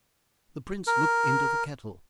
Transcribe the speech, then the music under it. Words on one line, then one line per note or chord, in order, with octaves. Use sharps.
The prince looked into the kettle.
A#4